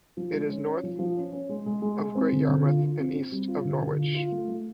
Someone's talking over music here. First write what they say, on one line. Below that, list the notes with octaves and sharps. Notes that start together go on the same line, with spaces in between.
It is north of Great Yarmouth and east of Norwich.
F3
G#3
C#4
C#4
F3
F3
C#4
C#4
G#3
G#3
G#3
G#3
C4
D3
D3
F4
F4
C4
C4
G3
F4
D3
D3
F4
F4
A3
A3